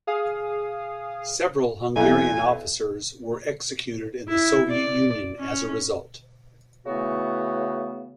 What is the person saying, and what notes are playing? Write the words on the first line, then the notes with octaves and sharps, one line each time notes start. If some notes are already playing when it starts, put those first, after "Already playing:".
Several Hungarian officers were executed in the Soviet Union as a result.
G#4 F5 D#6
B1 E2 G#5
E4
D5
C#4
C#3 E3 A3 B3 F#4